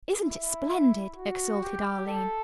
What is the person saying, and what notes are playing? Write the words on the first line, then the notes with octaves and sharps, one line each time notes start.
"Isn't it splendid!" exulted Arline.
E4
F#4
G4
A4